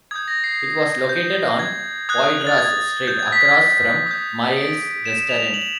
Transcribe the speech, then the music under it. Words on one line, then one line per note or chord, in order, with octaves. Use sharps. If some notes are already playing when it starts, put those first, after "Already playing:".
It was located on Poydras Street across from Maylie's Restaurant.
D#6 G6 G#6
A#6
C7
G6
G#6
D#6 F#6 G#6
A6
G#6
G6
G#6
B6
G#6
D#6 G6
D7
E7
F7
F#7